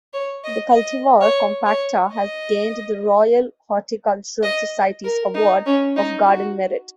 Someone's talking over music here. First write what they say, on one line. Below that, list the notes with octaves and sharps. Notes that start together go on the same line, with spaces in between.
The cultivar 'Compacta' has gained the Royal Horticultural Society's Award of Garden Merit.
C#5
D#5
D#5
C#5
C#5
D#5
D#5
A#4
D#4
C#4
D#4
F#4